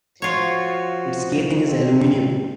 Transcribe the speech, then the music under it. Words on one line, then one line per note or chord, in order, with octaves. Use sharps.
Its casing is aluminium.
F3 F4 F#4 C#5
C4